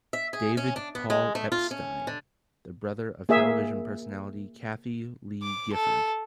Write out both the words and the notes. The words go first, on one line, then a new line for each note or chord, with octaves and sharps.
David Paul Epstein, the brother of television personality Kathie Lee Gifford.
E5
G#4
C#4
D4
B3
G#3
A3
F4
C#4
D3
A#3 G#4 E5
D6
A4